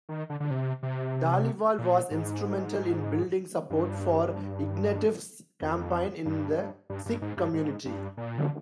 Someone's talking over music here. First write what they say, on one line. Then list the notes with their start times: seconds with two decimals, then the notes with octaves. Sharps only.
Dhaliwal was instrumental in building support for Ignatieff's campaign in the Sikh community.
0.09 D#3
0.30 D3
0.40 D3
0.51 C3
0.83 C3
1.79 A#2
2.11 G#2
3.70 G2
5.62 F2
6.26 G2
6.90 G2
7.06 G2
7.22 G#2
7.37 G2
7.54 G#2
7.86 G2
8.17 A#2
8.38 D3